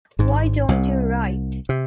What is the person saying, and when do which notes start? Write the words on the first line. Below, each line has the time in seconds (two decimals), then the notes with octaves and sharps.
Why don't you write?
0.19 G#1 G#2
0.68 C2 C3
1.69 C3